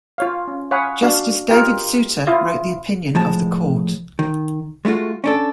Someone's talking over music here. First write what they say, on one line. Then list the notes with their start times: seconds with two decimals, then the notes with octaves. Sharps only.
Justice David Souter wrote the opinion of the Court.
0.18 F4 C#5 F5
0.47 C#4
0.71 C#5 F5 F#5 G#5 B5 D#6
1.02 D4 F#4 F5
1.49 F4 G4 A#4 D#5 G5
2.27 E4 F4 F5 D#6
3.15 A2 F3 G#3 A5
4.19 D#3
4.85 G#3 A3 C#4 F4 F#4
5.24 C#4 D4 A4